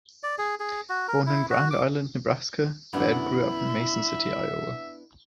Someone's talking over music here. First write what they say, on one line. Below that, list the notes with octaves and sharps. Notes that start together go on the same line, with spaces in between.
Born in Grand Island, Nebraska, Baird grew up in Mason City, Iowa.
D5
G#4
G#4
F#4
A#4
E4
F#4
D6
F#2 D3 B3 D4 E4 B5
E5